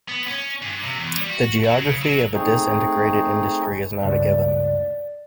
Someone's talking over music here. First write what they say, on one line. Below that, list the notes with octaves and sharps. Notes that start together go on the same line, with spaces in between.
The geography of a disintegrated industry is not a given.
B3
C#4
G2
C3
E2
G3
F#4
F#3
C#3
F#3
A3 C4 D#4 G#4
C#2 G2 D5